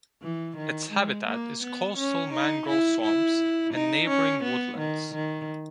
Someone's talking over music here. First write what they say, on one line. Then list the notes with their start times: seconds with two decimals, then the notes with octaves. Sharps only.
Its habitat is coastal mangrove swamps and neighbouring woodlands.
0.22 E3
0.57 D#3
0.92 G#3
1.27 A#3
1.63 B3
1.98 C#4
2.33 D#4
2.68 E4
3.03 E4
3.74 D#4
4.09 C#4
4.44 B3
4.78 D#3
5.14 D#3